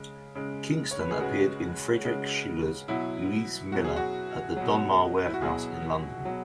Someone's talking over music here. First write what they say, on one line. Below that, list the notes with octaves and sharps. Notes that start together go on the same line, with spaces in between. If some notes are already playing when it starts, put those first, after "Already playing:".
Kingston appeared in Friedrich Schiller's "Luise Miller" at the Donmar Warehouse in London.
Already playing: C#3 G#3
C#3 G#3
C#5
B4
G#4
C#3 G#3 F#4
C#3 G#3
B2 F#3 E4
B2 F#3 F#4
G#4
F#4
B2 F#3
E4
F#4
B2 F#3 G#4
B2 F#3